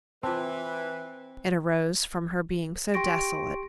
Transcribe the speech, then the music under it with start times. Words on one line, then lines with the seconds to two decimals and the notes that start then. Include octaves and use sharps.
It arose from her being so desolate.
0.23 E3 C4 F4 B4 A5
2.94 G4 G5 C6 C#6 A#6 D7